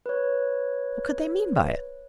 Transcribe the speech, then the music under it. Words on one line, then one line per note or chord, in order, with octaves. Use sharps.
What could they mean by it?
B4 C#5